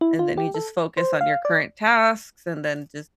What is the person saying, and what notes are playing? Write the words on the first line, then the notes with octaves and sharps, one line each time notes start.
and then you just focus on your current tasks, and then just
E4
F4
G4
A4
C5
F5
D5